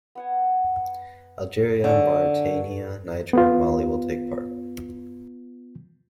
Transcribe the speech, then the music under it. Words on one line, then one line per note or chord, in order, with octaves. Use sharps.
Algeria, Mauritania, Niger, and Mali will take part.
B3 F#5 G#5
D3 G#4 A4 C#6
B3 F4